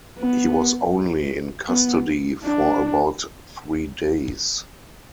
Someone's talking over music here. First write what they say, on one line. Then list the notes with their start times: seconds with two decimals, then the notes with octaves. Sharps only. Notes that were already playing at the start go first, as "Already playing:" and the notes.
He was only in custody for about three days.
0.19 B3
1.69 B3
2.44 D4